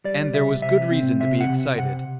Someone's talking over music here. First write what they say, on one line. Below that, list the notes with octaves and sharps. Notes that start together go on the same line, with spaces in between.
And there was good reason to be excited!
G3 D5
C3 E5
C3 E5
C4
C3 E5
F#5
C3
C3 F#5